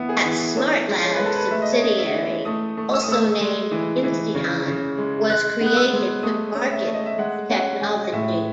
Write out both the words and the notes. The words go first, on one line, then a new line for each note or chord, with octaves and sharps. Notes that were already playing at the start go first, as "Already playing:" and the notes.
A Smartlabs subsidiary, also named Insteon, was created to market the technology.
Already playing: E3 B3 E5
G#4
E3
C#4 A4
G#3
C#5
B4
G#3
A4
B4
A3 E5
D#5
C#5
C#4 D#5
E5
E3
A3 D#6
A3
E6
D#6
A3 E6
G#3
E3
E3
C#3
C#3
G#3
G#3 F#6
B3
F#6
E6
G#3
A3 D#6
C#4
E5
A3
D#5
E5
G#3 F#5
C#4 F#5
G#3 G#5
D#5
A2 E5